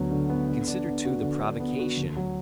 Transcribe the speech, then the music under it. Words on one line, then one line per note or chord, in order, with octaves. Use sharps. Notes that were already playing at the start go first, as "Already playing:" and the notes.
Consider, too, the provocation!
Already playing: D2 D3 F#3 B3
D3
B3
D3
D4
B3
F#4
D3
D4
B3
F#4
D2
F#3